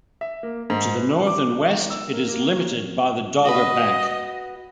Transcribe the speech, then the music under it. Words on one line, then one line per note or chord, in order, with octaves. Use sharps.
To the north and west it is limited by the Dogger Bank.
E5
A#3
G#2
B4
D6
D#3
E6
A#4
A#3
F#4 B4 D#5